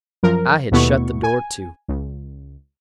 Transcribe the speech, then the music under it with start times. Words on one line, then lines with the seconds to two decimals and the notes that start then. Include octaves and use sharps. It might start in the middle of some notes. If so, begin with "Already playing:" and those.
I had shut the door to.
0.23 F#2 F3 A#4
0.72 D#2 B2 A3 B3 E4 C#6
1.23 G#5
1.88 C#2